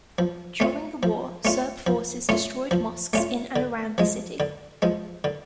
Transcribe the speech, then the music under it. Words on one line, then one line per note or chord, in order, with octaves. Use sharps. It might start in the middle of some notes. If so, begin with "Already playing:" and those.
During the war Serb forces destroyed mosques in and around the city.
F3
A3 C#4 F4
F3
A3 C#4 F4
F3
A3 C#4 F4
F3
A3 C#4 F4
D3
F3 G#3
D3
F3 G#3
D3